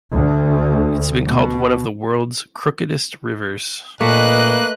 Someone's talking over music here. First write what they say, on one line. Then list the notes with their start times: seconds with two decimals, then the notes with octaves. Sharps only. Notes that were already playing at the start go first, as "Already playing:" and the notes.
It has been called one of the world's crookedest rivers.
0.13 D2
1.26 B2
4.01 A#2 A3 A#3 B4 D#5 F#6